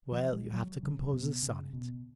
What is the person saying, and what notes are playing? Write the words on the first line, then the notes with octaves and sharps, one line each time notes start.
Well, you have to compose a sonnet.
F3
G#3
F#3
C#3
B2
C#3
B2